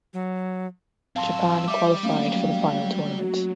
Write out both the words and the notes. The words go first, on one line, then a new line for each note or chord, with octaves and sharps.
Japan qualified for the final tournament.
F#3
F#3 C4 F5 A5 C6 E6
G3 E5 D6
F#3 A3 A#3 C#4 F5
F#4